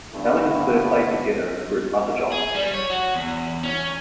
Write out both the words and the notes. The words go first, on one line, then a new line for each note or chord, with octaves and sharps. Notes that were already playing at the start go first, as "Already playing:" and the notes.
Melling and Spurr played together in the group MotherJohn.
G2 D3 G3 A3 B3 E4
G#4
G3
C#5
F#4
E2
C#4